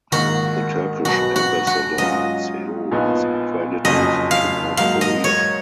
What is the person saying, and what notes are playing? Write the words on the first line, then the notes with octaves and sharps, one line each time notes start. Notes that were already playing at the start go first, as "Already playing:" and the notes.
The Turkish ambassador in Seoul is accredited to North Korea.
A#1 G#2 D#3 A#3 F#4
B1 B2 F#3 B3 F#4
F#4
F#4
G#2 F#3 C#4 F4 D#5
A#1 A#2 F3 B3 D#4
F#1 F2 C#3 F#3 D#5
F5
G#2 F#3 A#3 F5
D#5
C#5